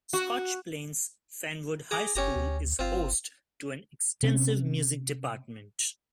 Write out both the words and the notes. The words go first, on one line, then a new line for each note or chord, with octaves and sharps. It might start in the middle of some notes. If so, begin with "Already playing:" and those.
Scotch Plains-Fanwood High School is host to an extensive music department.
F#4
G#4 A#5 D6
F#1 C#4 G4 A#5
D2
G1 C4 F4
C3 C4 C#4